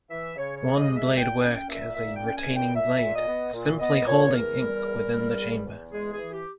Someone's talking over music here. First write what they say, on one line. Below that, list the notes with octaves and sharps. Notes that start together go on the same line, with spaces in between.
One blade work as a retaining blade, simply holding ink within the chamber.
E3 E5
C#3 C#5
C#5
C#3
D#5
G#3
E5
A#2 G5
C#4 G5
A#2 E5
A#2 E5
G5
C#4
G#5
A#2
G5
A#2 E5
A#2
D#5
B3
A#2
B3 D#5
A#2 C#5
E2 A#4
G3
E2
G3
E2
E2
G#3 G#4
G#4
E3
G4